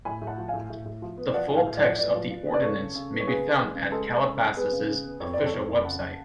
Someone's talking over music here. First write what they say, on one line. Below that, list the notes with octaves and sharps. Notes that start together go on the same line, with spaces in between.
The full text of the ordinance may be found at Calabasas' official website.
A2 G#5 B5
A2
F#5 A5
F3
F5 G#5
A2
A2
A2
F3
B3
F3 D5 F#5
A2
F5 G#5
A2
D5 F#5
F3
A2 B4 D5
F3
F3
B3
D5
C#3 A4 C#5
C#3
C#3
B3
C#5
C#3 G#4 B4
C#3
G#3
C#3
B4
G#3 A4
G#3
C#3
G#3
B3 G#4 B4
C#3
C#3
B3
F2 C#5
F2 D5
A4 C#5
F2
F2
B5
C#3 F#5 A5